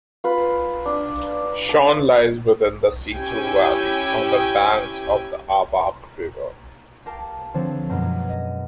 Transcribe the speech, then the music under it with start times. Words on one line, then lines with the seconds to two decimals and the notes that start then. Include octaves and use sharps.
Seon lies within the Seetal valley, on the banks of the Aabach river.
0.24 F4 B4
0.86 D4
1.69 A5
3.14 C#4 E4 G4 G5 G#5
7.06 G4 A#4 F5 G5 A5
7.54 D3 F3 C4 A4 C#5 A6
7.90 F#2 B2 F#3 G#3 A#3
8.29 D#5